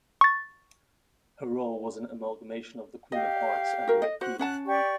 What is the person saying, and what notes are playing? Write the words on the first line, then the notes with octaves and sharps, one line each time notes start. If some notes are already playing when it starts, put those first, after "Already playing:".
Her role was an amalgamation of The Queen of Hearts and The Red Queen.
C#6 A6
G4 D#5 F5
F#4 A#4
D#5
F#4 C5 F#5 F#6
C#4 F#5 A5 F#6
G4 D5 C#6